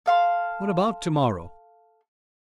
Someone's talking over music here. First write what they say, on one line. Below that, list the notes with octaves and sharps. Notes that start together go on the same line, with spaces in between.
"What about to-morrow?"
A4 F5 C6